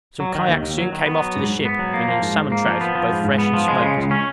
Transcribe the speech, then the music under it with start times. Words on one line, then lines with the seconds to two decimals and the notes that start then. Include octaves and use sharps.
Some kayaks soon came off to the ship, bringing salmon-trout, both fresh and smoked.
0.20 F#3
0.35 D#3
0.48 D#2
0.63 D#2
0.78 F#3
0.92 D#3
1.06 B3
1.21 F#3
1.36 G#2
1.50 G#2
1.65 B3
1.79 F#3
1.94 A#3
2.08 F3
2.22 G#2
2.37 G#2
2.52 A#3
2.66 F3
2.81 B3
2.95 F3
3.10 G#2
3.24 G#2
3.38 B3
3.54 F3
3.68 G#3
3.82 C#3
3.97 C#2
4.11 C#4